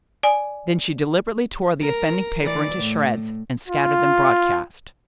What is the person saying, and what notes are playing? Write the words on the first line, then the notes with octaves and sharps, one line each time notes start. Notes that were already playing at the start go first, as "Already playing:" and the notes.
Then she deliberately tore the offending paper into shreds and scattered them broadcast.
D5 G#5
A#4
E3 D5
A2
F4